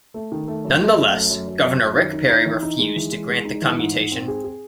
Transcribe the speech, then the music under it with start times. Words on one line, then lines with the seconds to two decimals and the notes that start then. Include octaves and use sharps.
Nonetheless, Governor Rick Perry refused to grant the commutation.
0.14 A3
0.32 D#3
0.48 A3
0.64 F#2
0.80 A3
0.97 F#2
1.14 A3
1.30 F#2
1.48 F#2
1.63 F#2
1.79 F#2
1.96 D#3
2.13 D#4
2.29 D#4
2.46 E3
2.62 D#4
2.79 G#3
2.96 E3
3.12 G#3
3.29 G#3
3.45 D#4
3.62 E3
3.79 G#2
3.96 G#2
4.12 C4
4.28 G#4
4.44 G#4